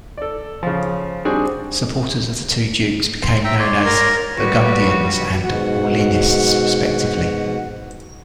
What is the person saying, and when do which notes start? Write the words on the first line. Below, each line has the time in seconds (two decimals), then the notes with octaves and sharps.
Supporters of the two dukes became known as "Burgundians" and "Orleanists", respectively.
0.17 A4 D5
0.63 C#3 F3
1.25 G3 C4 D4 F#4 G#4
3.23 C6
3.44 E5 G5 A#5
3.59 C#5 D5 C6
3.84 A#4
4.37 G3 F#4 B4
5.43 G#2 B2 F#4 F#5